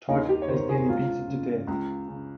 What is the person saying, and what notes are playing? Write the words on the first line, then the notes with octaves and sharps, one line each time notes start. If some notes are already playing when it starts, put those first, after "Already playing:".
Todd is nearly beaten to death.
D#2 D#4
G4
C#5
D#3 C5
G#4
C#2 F4
C#3
C#2
C#3